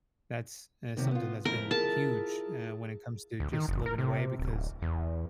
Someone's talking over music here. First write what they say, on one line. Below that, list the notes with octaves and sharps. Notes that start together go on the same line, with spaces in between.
that's, eh, something that's been huge, eh, when it comes to just living away because
F#2 C3 D#3
B3 F4
F2 G#2 E4 A#4
E4 F4 G#4 A#4 A5
D2
D#3
F#1
A#4
C3
D1
E2